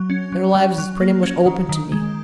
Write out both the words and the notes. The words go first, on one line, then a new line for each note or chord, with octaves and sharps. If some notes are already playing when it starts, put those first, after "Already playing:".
Their lives is pretty much open to me.
Already playing: F#3
C#4
F#3
F#3
F#3
A#3
C#4
D#3
D#3
G#3